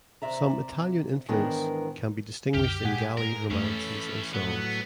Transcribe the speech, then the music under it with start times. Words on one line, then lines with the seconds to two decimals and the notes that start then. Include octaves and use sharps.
Some Italian influence can be distinguished in Galli’s romances and songs.
0.22 C3 D5 E5 A#5
1.29 G#2 D#3 E3 B3 D4 A#4
2.54 C2 F#2 D3 G4 G5 F6
2.85 A#2 G#3 F#5 B6
3.18 G#2 A#4
3.51 F2 E3 A3 C#4
3.63 A4 B5
4.34 A2 F#3 B3